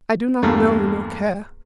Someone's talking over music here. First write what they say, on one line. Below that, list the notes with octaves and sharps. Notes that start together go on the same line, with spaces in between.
I do not know, nor care.
E2 G2 A3 A#3